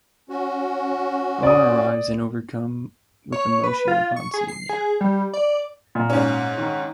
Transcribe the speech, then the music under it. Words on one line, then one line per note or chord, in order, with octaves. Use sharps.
Homer arrives and overcome with emotion upon seeing Yak.
C#4 F#4
D5 D#6
C#5
B4
F4
C#6
G#4
C7
G#4
G3
D5
A#2
G#2 C#4
D#3